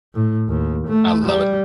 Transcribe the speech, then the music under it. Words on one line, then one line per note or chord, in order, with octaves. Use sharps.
I love it.
A2
D#2
A3
G3